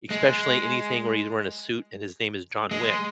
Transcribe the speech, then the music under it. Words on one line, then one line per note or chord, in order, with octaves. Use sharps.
especially anything where he's wearing a suit and his name is John Wick.
G#3
G#3